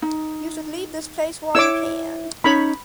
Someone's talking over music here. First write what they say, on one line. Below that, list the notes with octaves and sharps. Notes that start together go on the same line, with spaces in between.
You should leave this place while you can.
D#4
E4 C#5 D6 E6
C#4 D#4 C#5 B5